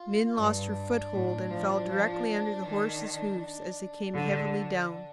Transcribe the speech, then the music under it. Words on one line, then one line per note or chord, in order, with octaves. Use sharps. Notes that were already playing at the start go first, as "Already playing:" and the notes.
Min lost her foothold and fell directly under the horse's hoofs as they came heavily down.
Already playing: F4
G2 D4
A2
F3
F3
D#3
D4
D3